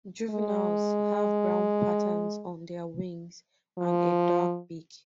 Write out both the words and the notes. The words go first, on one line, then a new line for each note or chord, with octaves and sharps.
Juveniles have brown patterns on their wings, and a dark beak.
G#3
F3